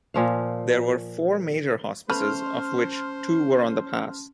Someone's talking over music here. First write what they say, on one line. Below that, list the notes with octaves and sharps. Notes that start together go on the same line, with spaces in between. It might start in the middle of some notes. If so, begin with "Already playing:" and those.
There were four major hospices, of which two were on the pass.
A#2 F3 F5
A3 B3 C#4 C5 A5 B5 C6 F6